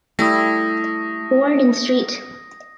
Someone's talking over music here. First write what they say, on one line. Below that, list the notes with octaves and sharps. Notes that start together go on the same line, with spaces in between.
Born in St.
G3 A3 E4 D#6 A#6